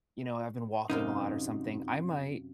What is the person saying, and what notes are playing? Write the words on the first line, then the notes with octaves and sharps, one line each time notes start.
you know, I've been walking a lot or something, I might,
F#2 C3 D#4 F4